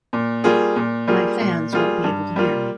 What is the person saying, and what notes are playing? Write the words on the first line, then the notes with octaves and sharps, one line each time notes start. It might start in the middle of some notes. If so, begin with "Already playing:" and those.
My fans won't be able to hear me.
A#2
G3 A#3 F4 G#4
A#2
G3 A#3 F4 G#4
A#2
G3 A#3 F4 G#4
G2
G3 A#3 F4